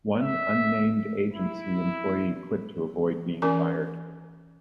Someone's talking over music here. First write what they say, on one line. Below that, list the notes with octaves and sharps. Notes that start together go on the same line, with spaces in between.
One unnamed agency employee quit to avoid being fired.
E5
E4
E3 C#4 A#4 G#5